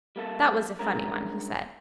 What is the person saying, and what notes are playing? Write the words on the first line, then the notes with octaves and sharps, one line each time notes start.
"That was a funny one," he said.
G3 A#3 A4
G2 G#3 C#4 A#4